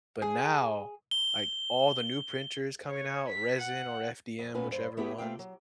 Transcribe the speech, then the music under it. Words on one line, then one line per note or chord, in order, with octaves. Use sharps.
but, now, like, all the new printers coming out, resin or FDM, whichever ones,
G#4
G7
C#5
B6
F#5
F2
A#2 B3 C#4 B4 G#5
G2 C5
A3 B3 E4 G4 G#4
A3 C4 F4 G5
F#3